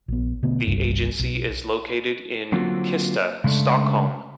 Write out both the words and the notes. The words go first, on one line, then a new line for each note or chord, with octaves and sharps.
The agency is located in Kista, Stockholm.
A#1 B3
B2 D3 A3 B3
G1 C2 G2
B1
D3 F#3 A#3 C4 F4 F#4
C#3 G#3 A3 D4